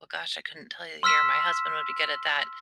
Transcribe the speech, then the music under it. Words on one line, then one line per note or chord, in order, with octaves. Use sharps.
Oh gosh, I couldn't tell you the year. My husband would be good at that
C6 E6 F6 B6 E7